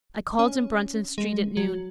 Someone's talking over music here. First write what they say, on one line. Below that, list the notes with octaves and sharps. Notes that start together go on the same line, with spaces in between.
I called in Bruton Street at noon.
C#4
G#3
F#3